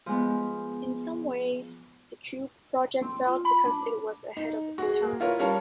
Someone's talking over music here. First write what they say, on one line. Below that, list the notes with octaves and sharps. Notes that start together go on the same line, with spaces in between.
In some ways, the Qube project failed because it was ahead of its time.
F3 G#3 B3
C4
F4
B5
D4
D#4
F#4 G#4
A#3
E4 F4 A#4 C#5
G3 C#4 A#4 C#5 F5 A5